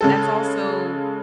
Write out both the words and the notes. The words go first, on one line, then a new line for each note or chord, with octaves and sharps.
that's also,
C#3 G#3 A4